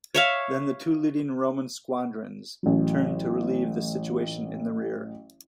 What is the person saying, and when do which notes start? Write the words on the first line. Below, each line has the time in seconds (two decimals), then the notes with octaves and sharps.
Then the two leading Roman squadrons turned to relieve the situation in the rear.
0.14 C#5 E5 F5
2.63 A1 F#3